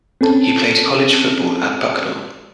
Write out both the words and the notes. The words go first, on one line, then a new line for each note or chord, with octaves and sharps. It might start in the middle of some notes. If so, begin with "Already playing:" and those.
He played college football at Bucknell.
C4 C#4 A4 A5